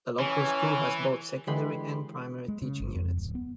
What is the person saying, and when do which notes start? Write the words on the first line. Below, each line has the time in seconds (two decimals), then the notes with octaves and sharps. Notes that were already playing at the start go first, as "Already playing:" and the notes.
The local school has both secondary and primary teaching units.
0.19 E3 C#4
1.47 D3 E3 G#3 G4 B5 C6
2.48 G#3
2.62 C#3
2.80 G1
2.95 F2
3.17 D1
3.35 B3